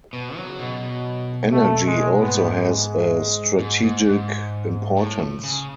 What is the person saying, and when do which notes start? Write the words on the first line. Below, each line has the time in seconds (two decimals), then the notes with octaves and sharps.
Energy also has a strategic importance.
0.13 B2 B3
0.36 F#3
0.47 C#3
0.59 B2
0.82 F#3
1.52 A3
1.86 G#3
2.20 G#2 B3
2.55 G#3
3.59 G#2
3.82 G#2
4.05 G#2
4.97 A2
5.44 C#3